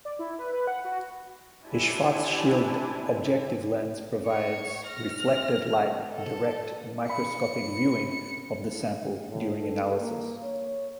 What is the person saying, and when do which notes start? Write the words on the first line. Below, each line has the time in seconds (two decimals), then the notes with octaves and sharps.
A Schwarzschild objective lens provides reflected-light direct microscopic viewing of the sample during analysis.
0.05 D5
0.19 E4
0.39 B4
0.53 B4
0.67 F#5
0.85 F#4
1.64 D4 E4 G4 C5 G#5 A5
4.27 C#5 C#7
4.87 F6 A#6
6.12 A4 A5
7.08 F5 B5 C#7
9.30 A2
9.60 A4
10.01 A#3
10.43 C#5